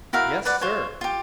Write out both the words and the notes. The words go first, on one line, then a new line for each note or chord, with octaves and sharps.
"Yes, sir."
E4 F#4 A#4 F5
B4 D5 F#5
F4 C5 C#5
F4 G4